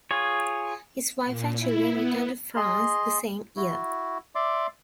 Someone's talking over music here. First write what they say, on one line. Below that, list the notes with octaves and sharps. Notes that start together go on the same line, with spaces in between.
His wife and children returned to France the same year.
F4 G#4 C#5
A#2
E4
B3
G#4 D#5 C6
E4 F#4
D5 E5 C6 D6